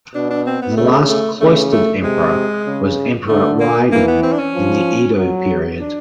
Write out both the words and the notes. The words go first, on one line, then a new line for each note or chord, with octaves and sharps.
The last cloistered emperor was Emperor Reigen, in the Edo period.
B2 D4
D4
C4
B3
C#3 A3
A3
C#3 A3
A3
C3 G#3
C#3
D3 A3
A#3
E3 A#3
B3
C4
D4
C#4
F3
F#3
D4